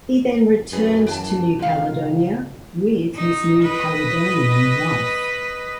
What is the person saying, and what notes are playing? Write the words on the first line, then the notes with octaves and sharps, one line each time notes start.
He then returned to New Caledonia with his New Caledonian wife.
F#2 B2 G#4 B4
E3 G#5 A5
C#2 G#2 F5
D#4
B4 D#5